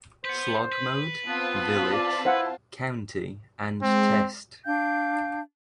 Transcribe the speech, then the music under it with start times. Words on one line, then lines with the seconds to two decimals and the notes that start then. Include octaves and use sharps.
Slog mode, village, county and test.
0.25 B4 C5 F#5
0.72 B4
1.26 B3 C4 F4 A5
1.93 D5
2.25 E4 C5 F5 F#5
3.82 G#3 C4
4.66 D4 F5 G5 G6